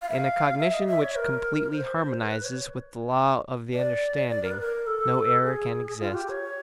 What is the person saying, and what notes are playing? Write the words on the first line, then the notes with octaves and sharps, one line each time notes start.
In a cognition which completely harmonizes with the laws of the understanding, no error can exist.
F5
E5
F5
E5
D#5
E5
C#5
A#4
C5
A#4
B4
C#5
D5
D5
A#4
B4
A#4
A4
G#4
F4
G4
C#5